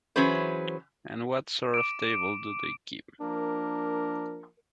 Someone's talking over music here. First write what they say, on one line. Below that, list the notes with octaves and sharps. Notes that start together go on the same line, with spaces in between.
And what sort of table do they keep?
E3 F#3 C#4 G#4 B4 C5
D6 D7
F3 A#3 D4 A#4